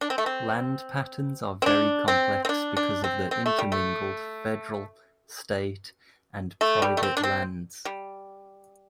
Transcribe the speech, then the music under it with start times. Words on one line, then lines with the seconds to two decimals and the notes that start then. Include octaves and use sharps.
Land patterns are very complex because of the intermingled federal, state, and private lands.
0.01 D4
0.10 C4
0.18 A3
0.26 C4
1.62 C4
1.66 D4
2.08 C4
2.45 C4
2.49 D4
2.77 D4
3.04 C4
3.31 C4
3.46 A3
3.59 G3
3.72 A3
6.61 A3
6.82 G3
6.97 A3
7.03 C4
7.17 D4
7.23 C4
7.85 G3